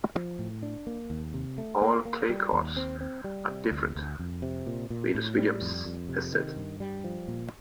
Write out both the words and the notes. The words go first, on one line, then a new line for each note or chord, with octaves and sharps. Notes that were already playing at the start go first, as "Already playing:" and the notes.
"All clay courts are different," Venus Williams has said.
F3
A2
D4
A#3
D#2
C3
A3
A#3
A#3
G3
D#2
C4
C4
G3
C3
D2
D2
F2
C3
A#2
A#2
A2
G3
F2
F2
C3
D#3
G2
G3
F3
A#2